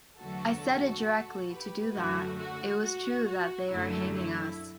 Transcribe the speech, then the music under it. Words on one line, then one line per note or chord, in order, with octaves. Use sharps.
I said it directly to do that, it was true that they are hanging us.
E2 D3 F#3 A3 F#4 A4
G4 B4
F#2 D3 A3 F#4
F#4
F#4
F#4
F#2 D3 F#3 A3 E4
E4